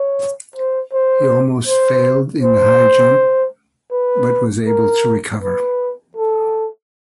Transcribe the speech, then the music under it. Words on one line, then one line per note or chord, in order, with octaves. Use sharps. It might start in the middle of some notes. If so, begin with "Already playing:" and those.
He almost failed in the high jump but was able to recover.
Already playing: C#5
C5
C5
C5
C5
B4
A#4
B4
A4